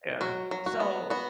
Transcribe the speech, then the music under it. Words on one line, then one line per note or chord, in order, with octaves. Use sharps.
yeah, so
F#3 F#4
F#3
F#4
B3
B3 F#4